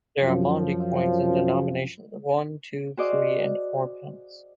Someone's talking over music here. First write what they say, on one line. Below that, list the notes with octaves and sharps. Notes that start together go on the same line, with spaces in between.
There are Maundy coins in denominations of one, two, three and four pence.
F#2 F3
F#4 G#4 C5 D5 D#5 F5